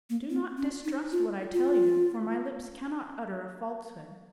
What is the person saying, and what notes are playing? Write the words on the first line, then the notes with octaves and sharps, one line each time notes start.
Do not distrust what I tell you, for my lips cannot utter a falsehood.
A#3
C4
C#4
D#4
F4
F4